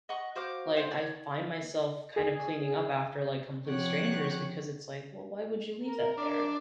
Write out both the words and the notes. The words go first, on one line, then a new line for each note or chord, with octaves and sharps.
like, I find myself kind of cleaning up after, like, complete strangers because it's like, "Well, why would you leave that there?"
D#5 F#5 C#6
F#4 C5 F5 D6
C5 F5 G5
C#5 D5
G#4
C3 F3 G4 C#5 F#5 F#6
A#4
D4